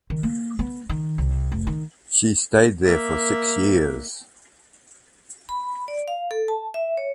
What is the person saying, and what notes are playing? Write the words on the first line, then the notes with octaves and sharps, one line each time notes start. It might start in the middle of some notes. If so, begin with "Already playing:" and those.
She stayed there for six years.
D#3
A#3
B3
D#3
C2
F1
D#3
A#3 E5
B5
D5
F5
A4
A5
E5
C#5